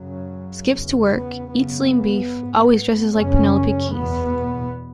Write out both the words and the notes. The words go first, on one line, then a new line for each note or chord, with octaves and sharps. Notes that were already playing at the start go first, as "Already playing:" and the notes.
Skips to work, eats lean beef, always dresses like Penelope Keith.
Already playing: F#2 C#3 F#3
E2 C#3
B3
F#2 C#3 B3
G#2
F#2 C#3 C#4
E2 B2 B3